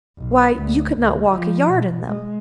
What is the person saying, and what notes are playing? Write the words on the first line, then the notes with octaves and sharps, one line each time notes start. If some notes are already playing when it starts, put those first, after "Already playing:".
'Why, you could not walk a yard in them!'
B1
D2
D2
F3
B2
G#3